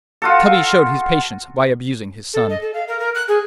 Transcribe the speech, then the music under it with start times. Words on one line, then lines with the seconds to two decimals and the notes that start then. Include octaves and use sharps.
Tubby showed his patience by abusing his son.
0.22 F4 F#4 A4
2.33 A4
2.49 D#5
2.61 A4
2.74 F5
2.88 A#4
2.99 A#4
3.15 F#6
3.28 G#4